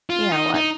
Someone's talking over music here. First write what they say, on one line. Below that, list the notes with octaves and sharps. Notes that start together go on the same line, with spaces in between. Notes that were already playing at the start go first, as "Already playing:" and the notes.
you know, uh,
F4
D#4
D#4